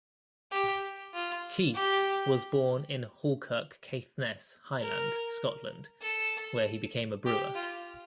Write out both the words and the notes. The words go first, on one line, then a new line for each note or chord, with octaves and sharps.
Keith was born in Halkirk, Caithness, Highland, Scotland, where he became a brewer.
G4
F4
G4
A#4
A4
G4
F4